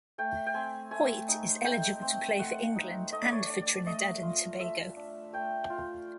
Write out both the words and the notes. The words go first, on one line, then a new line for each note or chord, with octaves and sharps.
Hoyte is eligible to play for England and for Trinidad and Tobago.
A3 G5
G5
C4 G#5
A3 G#5
D#4
A3 G5
C4
A3 F#5
D#4
A3 D#5
D5
C#5
D5
D4
A3 D#5
F4
A3 E5
D4
A3 G5
F4